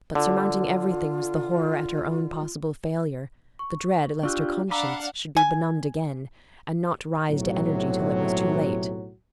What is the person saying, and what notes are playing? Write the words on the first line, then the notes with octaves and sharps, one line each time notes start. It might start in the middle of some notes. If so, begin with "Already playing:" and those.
But surmounting everything was the horror at her own possible failure, the dread lest her conscience should be benumbed again, and not rise to energy till it was too late.
D3 F4
C#6
D4 F4 G4 C#6 E6 F#6
D4 F5 F#5 A#5 B5 D6 E6
G#5
B1 A2 C3 F#3